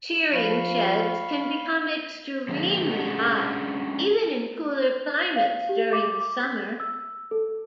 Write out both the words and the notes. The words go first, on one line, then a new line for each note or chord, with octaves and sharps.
Shearing sheds can become extremely hot, even in cooler climates, during the summer.
F3 F5 B5 C#6
D3 F3 G#3 A#3
G#3 C#4 D4 G#4 F#5
F5
G4
D6
D6
B6
E6
A4